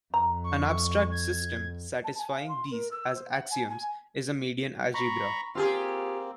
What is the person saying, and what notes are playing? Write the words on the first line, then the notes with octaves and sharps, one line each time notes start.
An abstract system satisfying these as axioms is a median algebra.
F2 A#5
C#6
G#6
A5
G#5
F5
C6
A#4
E6
C5
F#5
G#5
G#5
A#5 B5 C#6
A#3 C4 F4 G4 G#4